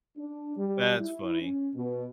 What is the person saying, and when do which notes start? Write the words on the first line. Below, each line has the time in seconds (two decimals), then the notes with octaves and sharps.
That's funny.
0.17 D4
0.57 G3
1.00 E4
1.40 C#4
1.75 B2